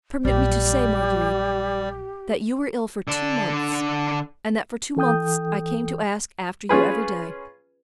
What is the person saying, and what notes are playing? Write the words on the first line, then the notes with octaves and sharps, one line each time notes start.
"Permit me to say, Marguerite, that you were ill for two months, and that for two months I came to ask after you every day."
A#1 F#3 G3 G4
D3 D4
E3 A4 G5 D#6 G6
C#4 F4 G#4 B4